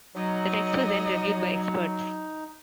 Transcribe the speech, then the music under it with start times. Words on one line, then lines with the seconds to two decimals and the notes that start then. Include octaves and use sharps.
The text was then reviewed by experts.
0.16 F#3 D#4 D#5